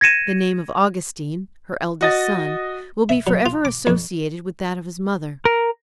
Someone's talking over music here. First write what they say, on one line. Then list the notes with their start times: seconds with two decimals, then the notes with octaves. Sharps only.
The name of Augustine, her eldest son, will be for ever associated with that of his mother.
0.01 G#6 A#6 C#7 D#7 E7
2.01 F#4 D#5 A6
3.09 E5
3.27 F#3
3.46 F4
3.65 D6
3.87 F2
5.45 A#4